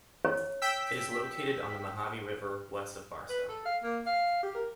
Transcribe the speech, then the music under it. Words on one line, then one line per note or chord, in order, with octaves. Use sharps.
It is located on the Mojave River, west of Barstow.
C#5
G5 E6 B6
B4
A4
F5
A#3
F5
G4
A#4